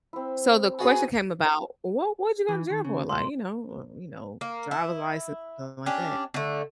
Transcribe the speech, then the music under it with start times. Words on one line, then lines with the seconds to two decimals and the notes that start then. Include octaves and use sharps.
So, the question came about, "What what did you go to jail for?" Like, "You know, uh, you know, driver's license, something like that?"
0.13 C4 E4
0.79 B3 F#4 G#4 G#5
2.48 E3
2.70 D#3
2.85 C#3
3.09 C2 G#2 C6
4.41 A#3
4.71 E4
5.86 C#4 D4 G4
6.34 D3 A3